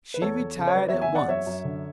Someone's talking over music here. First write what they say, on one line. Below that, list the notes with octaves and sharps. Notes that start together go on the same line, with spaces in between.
She retired at once.
B4
E2 A4 C#5
E2
C#3
C#5
F#3 B4 D5
E2 C#5 E5
E5 G#5
E2 D5 F#5
F#2 C#5 E5
F#2
D3